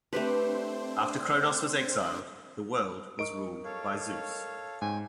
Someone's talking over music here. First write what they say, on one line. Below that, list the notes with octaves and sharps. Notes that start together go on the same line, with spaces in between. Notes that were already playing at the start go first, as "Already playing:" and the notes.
After Kronos was exiled, the world was ruled by Zeus.
A3 C4 D4 G4 B4 C5
A#4 D#5 C#6 D7
A4 C#5 F5
G#2 C4 C#4 G5 G#5